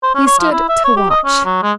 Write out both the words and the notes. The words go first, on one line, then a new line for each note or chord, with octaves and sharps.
He stood to watch.
C5
C#4
C#5
F3
E4
E5
C#5
G4
D#5
C#4
F#3
G#3